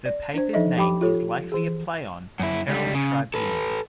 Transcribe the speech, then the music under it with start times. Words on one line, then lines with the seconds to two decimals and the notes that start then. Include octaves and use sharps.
The paper's name is likely a play on "Herald Tribune".
0.06 D5
0.34 D4 C5
0.53 F3 D#4 A4 D#5 E5
0.77 F3 G4 G5 B5 D6
1.01 F4 G4 A4 C#5
1.52 E3 G#4
2.40 F#2 E4
2.68 C#2 G3
2.95 C#3
3.34 A4 B4